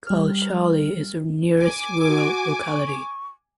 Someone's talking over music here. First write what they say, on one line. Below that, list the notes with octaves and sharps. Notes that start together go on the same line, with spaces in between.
Kalshaly is the nearest rural locality.
G3 F6
G#5 D6
F#4
C#6